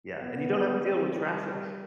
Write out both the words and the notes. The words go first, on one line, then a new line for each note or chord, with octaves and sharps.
Yeah, and you don't have to deal with traffic,
B3
C4
G3